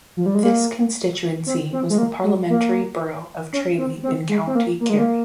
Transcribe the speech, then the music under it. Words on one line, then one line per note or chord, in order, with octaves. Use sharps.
This constituency was the parliamentary borough of Tralee in County Kerry.
F3
G3
G#3
A#3
C4
C4
G#3
A#3
G#3
A#3
C#4
C4
C4
G#3
C4
A#3
A#3
G#3
A#3